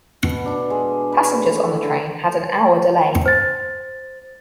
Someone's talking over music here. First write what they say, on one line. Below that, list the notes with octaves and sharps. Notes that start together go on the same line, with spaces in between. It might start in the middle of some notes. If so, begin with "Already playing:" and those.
Passengers on the train had an hour delay.
B2
D4
G#3
B4
A3
F#3
E4
D3
C5 A6